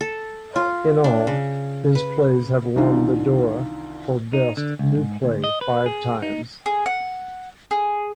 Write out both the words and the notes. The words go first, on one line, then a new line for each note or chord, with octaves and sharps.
In all, his plays have won the Dora for best new play five times.
A4
F4
D4
C#3
B4
C2 D#3 E3 D4 D#4 F4
D#4
D3
C#2
G#2
D2
D#5
B4
G#4
D#4
G#4
F#5
G#4